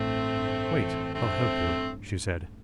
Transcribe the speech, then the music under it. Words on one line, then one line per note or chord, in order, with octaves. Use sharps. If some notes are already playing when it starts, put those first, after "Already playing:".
"Wait, I'll help you," she said.
Already playing: A1 G2 A3 C4
G2
E3
G2 A3 C4
G2